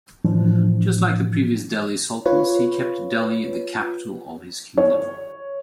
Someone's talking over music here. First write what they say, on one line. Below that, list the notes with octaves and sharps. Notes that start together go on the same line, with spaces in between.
Just like the previous Delhi Sultans, he kept Delhi the capital of his kingdom.
A2 E3 F3 D4
F4 B4 C#5
C#5